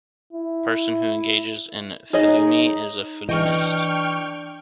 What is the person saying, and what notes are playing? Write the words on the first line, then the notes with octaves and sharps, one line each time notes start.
A person who engages in phillumeny is a "phillumenist".
E4
D#4 G#4 C#5 D#5
E3 D4 D#5 G5 C#6 F6